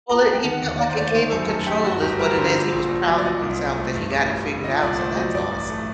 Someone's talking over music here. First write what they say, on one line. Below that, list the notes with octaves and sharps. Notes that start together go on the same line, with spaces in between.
Well, it he felt like it gave him control is what it is, he was proud of himself that he got it figured out, so that's awesome.
A#5
A5
G5
D#3 F#5
D#2
D#2 D5
C5
A3 D5
D#3 C5
F#2 A4
F#2 A4
A3 G4
G2 F#4
G1 G4
G3 A#4
D3 C5
A#2
A#1
A#1
F#3
D5
A#2 D#5
C2
C4
A3
G2
A1
G3
D3
A#2 D#5
C2 D5
A3 C5
F#3 D#5
G2 D5
A1
A3